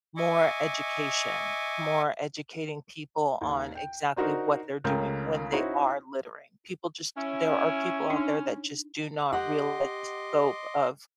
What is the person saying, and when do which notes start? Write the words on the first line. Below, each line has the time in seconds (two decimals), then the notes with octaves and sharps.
more education, more educating people on exactly what they're doing when they are littering, people just there are people out there that just do not realize the scope of
0.17 D#5 E5 G#5 C#6 D6
3.41 D#2
3.75 G5
4.16 D4 D#4 F#4 A#4 C5
4.84 C#2 C#3 A3 A#4 G5 G6
5.52 C#4 D#4 E4 F#4 C5
7.17 C#4 E4
8.10 D4 D#4
9.32 G4 D#5 F#5 C6 D6